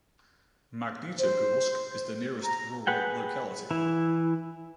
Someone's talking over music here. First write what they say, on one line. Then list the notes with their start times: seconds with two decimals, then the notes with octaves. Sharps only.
Magnitogorsk is the nearest rural locality.
1.19 C5
2.43 A#5
2.87 G#4 B4 F#5 G5
3.71 E3 E4